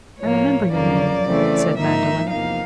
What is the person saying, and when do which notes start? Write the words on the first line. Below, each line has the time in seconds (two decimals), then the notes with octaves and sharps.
"I remember your name," said Magdalen.
0.19 A2 F3 A#3 C#5
0.71 F2 C#3 F#3 A#3 D5
1.24 C#3 E3 A3 C4
1.77 G#2 F3 A#3 D#4 E5
2.29 E2 C3 F3 A#3 D#4 F5